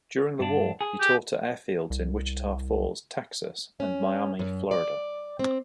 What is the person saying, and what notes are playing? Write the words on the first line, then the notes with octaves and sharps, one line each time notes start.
During the war he taught at airfields in Wichita Falls, Texas, and Miami, Florida.
G2 D4
G#4
G4
C2
C#4
F#2
D5
C4